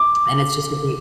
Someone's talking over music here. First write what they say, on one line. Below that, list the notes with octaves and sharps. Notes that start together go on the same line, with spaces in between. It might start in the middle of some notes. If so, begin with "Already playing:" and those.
and it's just a great
Already playing: D6